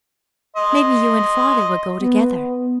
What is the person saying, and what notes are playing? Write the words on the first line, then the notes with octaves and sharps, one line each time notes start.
May be you and father will go together.
D#5 C6
B3